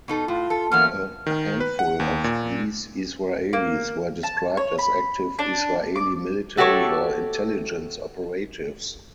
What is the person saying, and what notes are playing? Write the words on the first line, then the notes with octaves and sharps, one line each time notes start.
A "handful" of these Israelis were described as active Israeli military or intelligence operatives.
B2 D#4 A4
A2 F4
A4
E2 E3 F#3 A#3 B3 C#4 F6
D#3
B4
F#5
D#2
A#2
A#3
A5
C#5
B5
D4
D6
A3 F#4 G4 A4 C#5